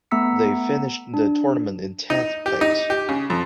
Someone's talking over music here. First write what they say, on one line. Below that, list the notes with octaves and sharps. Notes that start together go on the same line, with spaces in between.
They finished the tournament in tenth place.
A3 B3 A#5 E6 B6 C#7
D4
D#4
G4
D#4
G4
C#3
F2